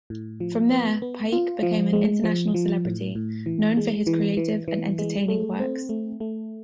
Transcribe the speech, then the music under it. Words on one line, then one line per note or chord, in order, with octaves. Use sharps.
From there, Paik became an international celebrity, known for his creative and entertaining works.
A2
F3
B3
B3
F4
F3
G#3
F3
F3
A2
A2
E3
G#3
E3
E3
E3
G#3
A3
C4
A3
A3